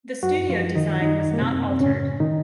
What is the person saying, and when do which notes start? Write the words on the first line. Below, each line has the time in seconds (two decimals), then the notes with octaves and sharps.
The studio design was not altered.
0.23 F#2 F#3 F#4
0.49 F#2 F3 F4
0.75 D#3 D#4
1.01 F#2 D#3 D#4
1.29 F#2
1.34 A#3
1.41 C3 C4
1.55 F#2
1.69 C4
1.81 A2 C#3 C#4
2.07 A2
2.20 D#3 D#4